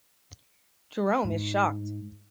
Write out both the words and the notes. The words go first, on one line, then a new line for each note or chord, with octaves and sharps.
Jerome is shocked.
G#2